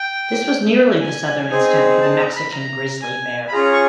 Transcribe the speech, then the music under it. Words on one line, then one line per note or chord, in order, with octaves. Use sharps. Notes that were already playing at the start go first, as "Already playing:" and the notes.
This was nearly the southern extent for the Mexican grizzly bear.
Already playing: G5
G#5
C4 D#4 G#4
A5
A#5
B5
A#5
G#5
B5
C#4 F4 G#4 A#5
C#6